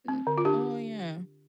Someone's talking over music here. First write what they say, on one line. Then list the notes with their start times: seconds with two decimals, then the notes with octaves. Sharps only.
M oh yeah.
0.08 C4
0.27 D3
0.38 F4
0.45 D4 G4